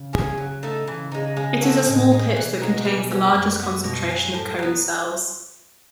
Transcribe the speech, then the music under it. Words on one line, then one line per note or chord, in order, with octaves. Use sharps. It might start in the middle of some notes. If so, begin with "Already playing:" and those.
It is a small pit that contains the largest concentration of cone cells.
Already playing: C#3
C#4 G#4
F#3
A3 D#4 A4
C#3 E3
G#3 D#4
G#3
B3 F#4 A4
A2 G#3
D#4 G#4
B2 E3
G#3 D#4 F#4
C#3
F#3 C#4
F#2 F#3
B3 F#4
B2
F#3 C#4
A2
F#3 B3